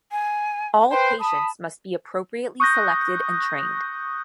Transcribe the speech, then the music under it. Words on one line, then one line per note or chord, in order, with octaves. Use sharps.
All patients must be appropriately selected and trained.
G#5
B4 C5 G5
A5 B5 D#6
C#6 D#6 F#6 G6 A#6